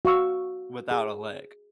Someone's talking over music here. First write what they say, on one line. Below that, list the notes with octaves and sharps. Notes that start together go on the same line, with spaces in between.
without a leg.
F#4 F5 C#6 E6
G#4